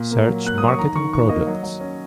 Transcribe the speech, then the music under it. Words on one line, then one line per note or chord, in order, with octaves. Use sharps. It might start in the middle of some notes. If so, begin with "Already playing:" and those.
Search Marketing products.
Already playing: A#2
A#3
F#3
A#3 F#6
F#3 D#6
C#6
D#3 A#5
D#3 C#6
D#3 C#6
A#3 D#5
F#3
F#3
C#4